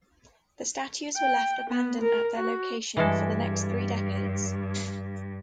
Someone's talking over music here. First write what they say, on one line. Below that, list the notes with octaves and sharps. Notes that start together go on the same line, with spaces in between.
The statues were left abandoned at their location for the next three decades.
G5
B3
A#4
F#4
G2 E3 G#3 A4